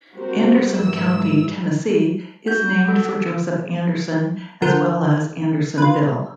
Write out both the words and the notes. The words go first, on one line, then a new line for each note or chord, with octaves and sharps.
Anderson County, Tennessee, is named for Joseph Anderson, as well as Andersonville.
G3 C4 F#4 G4 A#4 C5
G#2 E3 E6
F#4 G6
A4
D3 F3 A#4 F#5 G6
F4 B4